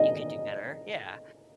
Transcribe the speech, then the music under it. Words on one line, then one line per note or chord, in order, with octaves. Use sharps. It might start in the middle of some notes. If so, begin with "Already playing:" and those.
"You could do better." Yeah.
Already playing: D#5